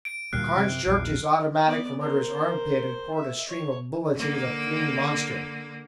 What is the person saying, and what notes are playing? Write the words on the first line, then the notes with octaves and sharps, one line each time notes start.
Carnes jerked his automatic from under his armpit and poured a stream of bullets into the fleeing monster.
D7
D2 A#2 G3 F6 F#6 C7
F#2 C3
A#1 E2
B3 D5
A#4 C5
E5
C#5
D3 A#3